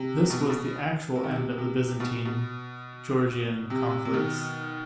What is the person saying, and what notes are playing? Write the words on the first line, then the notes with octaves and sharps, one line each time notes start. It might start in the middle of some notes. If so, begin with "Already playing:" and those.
This was the actual end of the Byzantine-Georgian conflicts.
Already playing: C3
B2
C3
B2
C3
D#3
C3
C3
B2
B2
C3
C3
B2 D#3